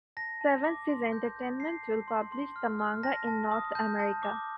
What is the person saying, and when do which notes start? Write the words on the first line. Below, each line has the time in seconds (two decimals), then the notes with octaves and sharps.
Seven Seas Entertainment will publish the manga in North America.
0.17 A5 A#6
0.41 A5
0.64 D6
0.89 C6
1.12 G6
1.36 G6
1.60 A5 C7
1.84 A5
2.08 C6
2.32 C6
2.56 F6
2.79 F6
3.03 A5 A#6
3.27 A5
3.52 D#6
3.75 A5 G6
3.99 A5
4.23 D6